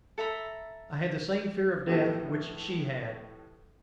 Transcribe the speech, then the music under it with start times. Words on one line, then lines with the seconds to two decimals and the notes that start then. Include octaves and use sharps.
I had the same fear of death which she had.
0.18 A4 E5 A#5 B5
1.87 A2 F3 B3 E4 G4 A4